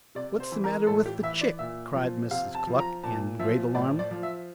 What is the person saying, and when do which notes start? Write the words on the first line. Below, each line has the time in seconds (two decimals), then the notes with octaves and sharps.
What's the matter with the chick?' cried Mrs. Cluck, in great alarm.
0.15 C3 D5
0.40 C5
0.52 E3
0.64 A#4
0.87 A2 A4
1.06 G4
1.23 E3 E5
1.41 D5
1.59 A#2 E5
1.95 F3
2.31 C3 F5
2.55 A5
2.67 F3
2.79 A#5
3.04 A#2 A5
3.39 F3 E5
3.75 A2 D5
3.99 D5
4.11 F3
4.23 E5